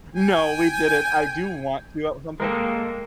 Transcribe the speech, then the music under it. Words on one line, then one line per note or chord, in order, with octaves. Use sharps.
n n no, we didn't, I do want to at some point.
G5 G#5
G#3 A#3 A4 A#4 G5